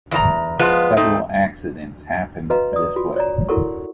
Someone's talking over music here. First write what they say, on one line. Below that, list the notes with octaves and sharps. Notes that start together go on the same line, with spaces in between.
Several accidents happened this way.
E2 E4 A#5
F3 G#3 B3 F4 B4
A3 C4 D#4
F#4 B4 D#5 F5 A#5
D5 D#6
F4 F#4
C#5 D5 A#5
E4 F#4 A4 A#4 F#5 C#6